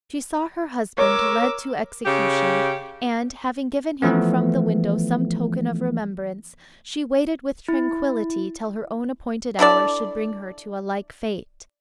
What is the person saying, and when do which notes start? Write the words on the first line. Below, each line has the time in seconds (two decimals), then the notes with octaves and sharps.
She saw her husband led to execution, and, having given him from the window some token of remembrance, she waited with tranquillity till her own appointed hour should bring her to a like fate.
0.98 A#4 C#5 D6 E6
2.06 C#3 G4
4.02 E3 F3 A3 B3
7.68 E4
9.59 D4 E4 A4 D5